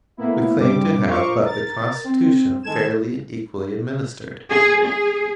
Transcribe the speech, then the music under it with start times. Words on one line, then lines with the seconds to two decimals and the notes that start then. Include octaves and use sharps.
We claim to have but the Constitution fairly and equally administered.
0.17 A2 A#3 B3 E4
0.56 G2 G3 C4 D6
1.06 F4 A#4 C5 F5 C#6 D6
1.43 A#4 A6
2.04 C4
2.63 D#3 G#3 A4 G#6 E7
4.50 G#4
4.85 G#4